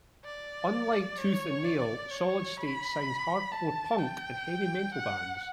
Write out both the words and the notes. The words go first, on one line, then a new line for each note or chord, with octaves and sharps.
Unlike Tooth and Nail, Solid State signs hardcore punk and heavy metal bands.
D5
C#5
D5
C#5
B5
A5
G5
F#5